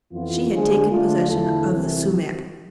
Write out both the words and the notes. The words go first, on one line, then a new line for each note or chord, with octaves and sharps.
She had taken possession of the sumac.
F2 E3 B3 F4
D3 G#3 D4 G#4 C5
D3 A3 D4 F4
E2 D3 A3 E4 A4
C2 C3 E3